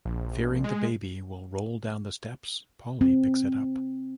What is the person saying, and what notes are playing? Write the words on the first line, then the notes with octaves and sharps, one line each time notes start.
Fearing the baby will roll down the steps, Polly picks it up.
A#1
G#3
C4